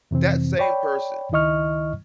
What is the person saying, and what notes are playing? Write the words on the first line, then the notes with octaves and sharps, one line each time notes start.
that same person
F2 C3 E3 C4
C#5 D5 G5 B5
C#2 D#3 E4 D#5 C#6 F6